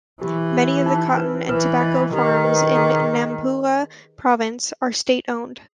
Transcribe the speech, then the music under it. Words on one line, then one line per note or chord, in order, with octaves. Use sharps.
Many of the cotton and tobacco farms in Nampula Province are state-owned.
E3 G4
G4
D#4
B4
E3 B4
D#5
D#3 G4
B4
G#4